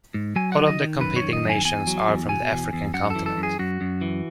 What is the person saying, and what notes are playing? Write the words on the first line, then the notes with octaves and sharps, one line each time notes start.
All of the competing nations are from the African continent.
G#2
F#3 G#5
F#5
D#3
D#5
D#3
F#2 B4
C#5
D#3
D#5
F#2
G#5
E2 G#5
F#3
E2
B2 G#5
E2
E2
F#2 F#5
E3 A4
A4
F#2
G#4
F#2 F#4
F#2
E3